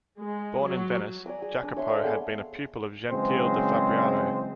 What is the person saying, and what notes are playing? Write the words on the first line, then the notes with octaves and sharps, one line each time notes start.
Born in Venice, Jacopo had been a pupil of Gentile da Fabriano.
G#3
F#3
D5 G#5 A#5 D6
G#4
D4
C#5 E5 C6
A4 D5 E5 F5
B3 G#4 A4 C6
C#3 E3 F#3 G#3 C4 C5